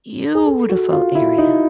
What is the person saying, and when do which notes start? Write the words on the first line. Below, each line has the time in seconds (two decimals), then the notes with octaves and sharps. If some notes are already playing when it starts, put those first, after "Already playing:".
Beautiful area.
0.35 G#4
0.46 A4
0.69 F#4
0.92 F4
1.15 E4
1.38 D#4